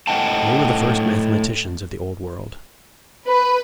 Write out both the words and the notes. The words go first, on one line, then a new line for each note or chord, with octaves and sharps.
They were the first mathematicians of the Old World.
A2 D#5 F#5 G5 A5
B4